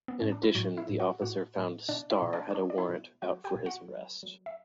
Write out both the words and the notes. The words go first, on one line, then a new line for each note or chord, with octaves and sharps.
In addition, the officer found Starr had a warrant out for his arrest.
B3
A2 C#4
D4
E4
A2 F#3 F#4
E4 E5
A2
F#4 F#5
A2 F#4 F#5
A2
B2 D4 D5
E4 E5
B2
D4 D5
C#5
F#3 D4 D5
D5
E4 E5
B2
F#3 F#4 F#5
G4 G5
B2
F#4 F#5
F#3
F#3
E5